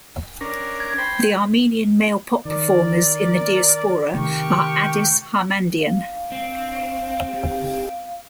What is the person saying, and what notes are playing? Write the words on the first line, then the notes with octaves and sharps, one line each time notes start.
The Armenian male pop performers in the diaspora are Adiss Harmandian.
C#4 D4 A#4
G#6
C5 G5 B5
D#3 A#4 D5
C3 D#3 A3 G4 A#4 C#6
F5
C4